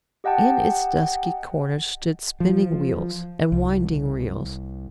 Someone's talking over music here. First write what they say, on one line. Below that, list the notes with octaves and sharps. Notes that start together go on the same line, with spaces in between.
In its dusky corners stood spinning wheels and winding-reels.
G4 D#5 F#5 G5 A5
F3
C2